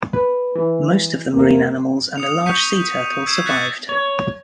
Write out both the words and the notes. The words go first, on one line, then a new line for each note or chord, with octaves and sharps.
Most of the marine mammals and a large sea turtle survived.
B4
E3
E2 C3 A#3
D#6 C#7 F7
C#6 G6 B6 C#7 D#7
G6
E6 G#6 C7 D7 E7
F#6 A6 B6 C#7 E7
C#5